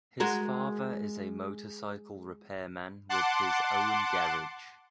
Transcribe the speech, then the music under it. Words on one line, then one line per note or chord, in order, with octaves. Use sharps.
His father is a motorcycle repairman with his own garage.
G#3 F#4 A#4
F#5 A5 C6 D6